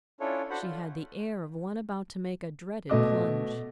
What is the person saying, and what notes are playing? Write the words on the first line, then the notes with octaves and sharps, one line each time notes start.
She had the air of one about to make a dreaded plunge.
C#4 D4 E4 F4 A4 C#5
D4 F#4 A4 C5 F#5 B5
F4
B2 A3 D#5 D6